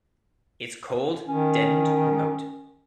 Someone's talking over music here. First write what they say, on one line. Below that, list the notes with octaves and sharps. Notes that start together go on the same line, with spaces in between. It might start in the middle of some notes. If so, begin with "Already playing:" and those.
It's cold, deadened, remote.
D#3 C#4